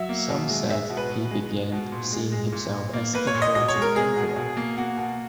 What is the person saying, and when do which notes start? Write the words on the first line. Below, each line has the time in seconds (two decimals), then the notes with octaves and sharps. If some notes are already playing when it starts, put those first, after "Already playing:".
Some said he began seeing himself as equal to the emperor.
Already playing: F#3 E5
0.09 A#3
0.29 B2
0.49 G#3
0.69 G#3 E5
0.89 B2
0.97 B4
1.10 B2
1.31 G#3
1.51 G#3
1.72 B2
1.92 A#2
2.12 G#3
2.32 G#3
2.52 A#2
2.73 A#2
2.93 A#3
3.14 A#3 B4
3.27 C#5
3.35 A#2
3.42 D#5
3.55 B2 D#5
3.68 C#5
3.75 G#3
3.82 A#4
3.95 G#3 G#4
4.17 B2
4.36 B2
4.57 A#3
4.77 A#3 F#4
4.97 B2